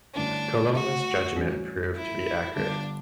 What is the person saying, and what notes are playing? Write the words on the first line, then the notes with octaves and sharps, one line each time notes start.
Colonna's judgement proved to be accurate.
G2 D3 A3 C#4 D4 E4
F#4
A1 G2 F#3 C#4 F#4
E4
G1 G2 D3 D4